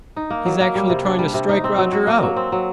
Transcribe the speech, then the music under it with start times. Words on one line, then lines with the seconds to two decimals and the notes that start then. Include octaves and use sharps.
"He's actually trying to strike Roger out!"
0.16 D#4
0.30 A#3
0.46 F#3
0.60 A#3
0.75 G3
0.90 C3
1.05 D4
1.19 G3
1.34 C3
1.49 D#4
1.64 C4
1.78 F#3
1.92 F#4
2.07 A#3
2.23 F#3
2.36 C4
2.52 F#3